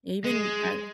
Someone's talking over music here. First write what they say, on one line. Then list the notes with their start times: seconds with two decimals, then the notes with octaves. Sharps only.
even I
0.24 G#3